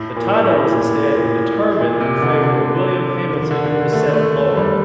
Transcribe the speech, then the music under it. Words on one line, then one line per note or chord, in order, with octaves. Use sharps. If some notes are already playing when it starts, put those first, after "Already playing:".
The title was instead determined in favour of William Hamilton, the seventh Lord.
Already playing: A2
A#2
A2
A#2
A#2
A#2
C3
D3
D3
D#3
D3
D3
D#3
A3
A3
A3
G3